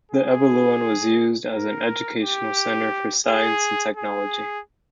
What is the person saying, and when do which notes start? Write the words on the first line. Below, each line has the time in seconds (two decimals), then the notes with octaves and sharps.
The Evoluon was used as an educational centre for science and technology.
0.12 G#4
1.52 A#4
2.22 G4
3.27 G#4
3.97 G#4